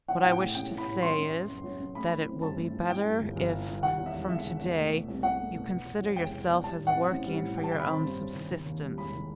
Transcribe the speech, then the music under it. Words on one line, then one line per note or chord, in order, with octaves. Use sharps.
What I wish to say is, that it will be better if from to-day you consider yourself as working for your own subsistence.
E3 F#5
A2 F#5
G5
A3
A1 G5
E3
B5
A2
F#3 C6
F#2
B3
F#1
F#3
F#2
A3 B5
E3
C4
G2 A5
A3
E3
E3 G5
G2
G1
G1
E3
G2
D#3 F#5
E2
E5
E1
E1 E5
D#3
E2
A3
B2
C2
C2 F#5
A3
B2
B2
E2
F#3
E1 G5
B2
E2
G3 A5
A2
F#5
C4
A1
G3
A2
G3 G5
A5
D#3 G5
B5
C4
G2
G3
D#3
D#3
D#2
G3
E1 B5
D#3